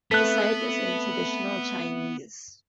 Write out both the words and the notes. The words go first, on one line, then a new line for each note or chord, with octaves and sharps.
The site is in traditional Chinese.
A3 B3 C4 A4 B4 E5 F#6 B6